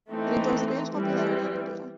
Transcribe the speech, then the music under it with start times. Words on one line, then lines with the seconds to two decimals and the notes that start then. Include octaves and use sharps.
It enjoys the greatest popularity in India.
0.11 E3 A3 C4 D#4
0.93 E3 G3 C4